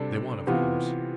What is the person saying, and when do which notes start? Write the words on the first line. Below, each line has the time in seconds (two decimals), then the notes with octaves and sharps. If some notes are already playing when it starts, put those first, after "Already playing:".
They won, of course.
Already playing: C3 G3 D4 A4
0.47 C3 E3 B3 F4